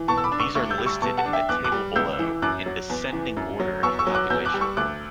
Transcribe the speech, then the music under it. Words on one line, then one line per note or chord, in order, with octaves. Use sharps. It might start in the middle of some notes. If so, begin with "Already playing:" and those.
These are listed in the table below, in descending order of population.
Already playing: E3
B2 A5 C#6
E6
B5 D6
D4
C#6 E6
D2 C#6 E6
E6 G6
G3
C#6 E6
B2 A5 C#6
F#5 A5
D4
E5 G5
E2 D6 F#6
D6 F#6
G3
C#2 E6 G6
E3
F#2 D6 F#6
F#3
E2
E3
F#2
F#3
E2 C#6 E6
C#6 E6
F#3
D6 F#6
E2 E6 G6
D6 F#6
G3
C#6 E6
D2 D6 F#6